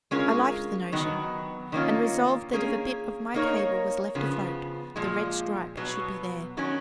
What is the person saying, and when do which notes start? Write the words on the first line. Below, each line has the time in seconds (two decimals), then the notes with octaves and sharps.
I liked the notion, and resolved that if a bit of my cable was left afloat, the red stripe should be there.'
0.11 G#3 C#4 F4 A#4
0.92 D#3 F#3 B3
1.72 D#3 A#3 C#4 F4
2.53 A#3 C#4 G#4
3.34 A#3 D#4 A#4 C#5
4.15 C#3 F3 B3
4.96 A#2 F3 G#3
5.77 B2 F#3 B3
6.57 D#3 F#3 C#4